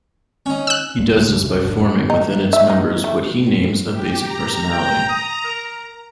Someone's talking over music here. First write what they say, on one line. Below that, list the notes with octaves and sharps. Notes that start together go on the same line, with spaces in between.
He does this by forming within its members what he names a basic personality.
C#4 D#4
E6 F#6
C#2 G3 A#3
C#2 C#3
C#2 C#3 G#3
C#2 C3
F2 A2 D4
D#4
E5
D#4
A3
G4
G4 A#5
G5
D#6
A#4